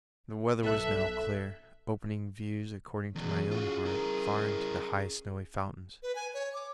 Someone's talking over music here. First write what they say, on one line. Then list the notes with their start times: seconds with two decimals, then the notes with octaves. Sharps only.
The weather was now clear, opening views according to my own heart far into the high snowy fountains.
0.63 B1 A4 E5 F#6
3.15 E2 B2 C#4 G#4
3.51 F4 F#4
3.86 E4 A#4
6.03 B4
6.15 G#5
6.34 C#5
6.54 D6